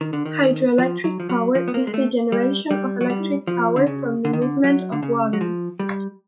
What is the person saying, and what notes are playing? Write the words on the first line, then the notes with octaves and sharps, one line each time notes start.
Hydroelectric power is the generation of electric power from the movement of water.
D#3
D3
D#3
F3
F#3
F3
F#3
F3
B3
A#3
G#3
A3
G3
G3
F#3
G3
F3
D3
C#3
D3
D#3
D3
F#3
D3
C#3
F#3
F3
G3